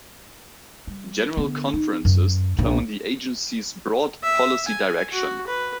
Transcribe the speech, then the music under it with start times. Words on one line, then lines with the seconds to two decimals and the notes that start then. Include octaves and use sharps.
General Conferences determine their Agency's broad policy direction.
0.87 G3
1.37 D3 B3
1.74 D#4
2.05 F#2
2.59 A#1
4.23 E5
4.68 G#5
5.12 F#4
5.47 B4